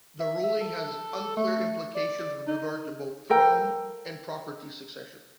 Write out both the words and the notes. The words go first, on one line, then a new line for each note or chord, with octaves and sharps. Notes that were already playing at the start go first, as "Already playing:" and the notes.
The ruling has unclear implications with regard to both throne and property succession.
E5
E5
A4
A3
D5
D#4
A4 A#4 G5